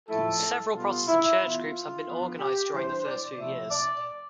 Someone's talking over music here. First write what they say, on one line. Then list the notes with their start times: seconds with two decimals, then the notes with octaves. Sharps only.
Several Protestant church groups had been organized during the first few years.
0.08 A2 F3 A3 E4 A4
0.74 B2 G3 B3 F4
1.07 E4
1.40 E3 B3 E4 F4
2.06 F3 B3 D4
2.39 G4
2.72 E3 G3 D4 C5
3.05 D5
3.38 C3 F3 A3 C4 E4 E5
3.71 D5